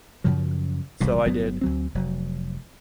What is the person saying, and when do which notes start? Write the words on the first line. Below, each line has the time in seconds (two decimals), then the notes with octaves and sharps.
So I did.
0.24 F#2 C#3 F3 F#3
1.00 E1 C2 F2 B2
1.25 G1 F#3 B3
1.61 D2 F#3 C4
1.95 F1 F#3